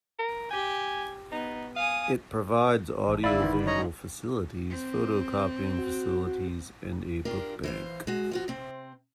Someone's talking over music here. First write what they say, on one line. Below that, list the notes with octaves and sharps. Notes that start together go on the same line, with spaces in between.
It provides audio visual facilities, photo copying facilities, and a book bank.
A#4
G4 G#5
B3 D#4
F5 G#5 D#6
A1
G1 E4 D5 F5 B5 E6
G#2 D#3 E3
C#5 D#5 A#5
C4
F#4
D4 F4 G4 A#4
E3 C5 F5
G#3 F#4
F3 F4 F#4
C3 C4